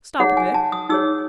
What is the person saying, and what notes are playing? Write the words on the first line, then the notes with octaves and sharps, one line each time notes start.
'Stop a bit.
D#4 G#4 C#5 F#5
G#5
A5
D#6
D#4 G#4 C#5 E6